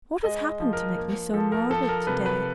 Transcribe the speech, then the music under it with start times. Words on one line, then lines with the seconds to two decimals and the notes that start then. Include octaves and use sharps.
What has happened to make me so morbid to-day?
0.24 G#3 D#5
0.60 F3
0.73 A#4
0.97 A#3
1.34 F3 A4
1.52 A#4
1.70 F3 A4
1.89 A#4
2.07 C3 B4
2.26 B4